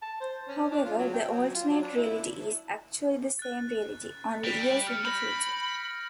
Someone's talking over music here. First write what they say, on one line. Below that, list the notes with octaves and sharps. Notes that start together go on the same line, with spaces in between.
However, the "alternate" reality is actually the same reality, only years in the future.
A5
C5
C#4
D4
F4
F#3
G5
F#3
F4
F#3
D4
E4
F#6 A6
G3 B6 D7
F6 C#7
B5 G6 A#6